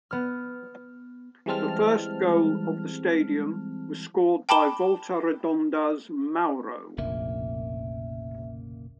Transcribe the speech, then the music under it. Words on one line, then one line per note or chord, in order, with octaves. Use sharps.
The first goal of the stadium was scored by Volta Redonda's Mauro.
B3 F6
E3 G3 G#3 C4 A5 F6
G5 A5 B5 D6 E7 G7
F1 A#1 A#2 C#3 A#3 E5